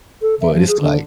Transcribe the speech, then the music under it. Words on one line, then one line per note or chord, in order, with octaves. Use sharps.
but it's, like
A4
E5
F3
G#4
D3